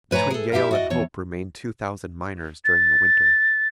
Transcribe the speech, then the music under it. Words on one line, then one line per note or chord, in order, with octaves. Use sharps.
Between Yale and Hope remained two thousand miners during the winter.
A2 B4 C#5 G#5 A#5
G#4 A4
E4 G4 E5 F5 A#5
F#4 D5 D#5
E2 C#5
A6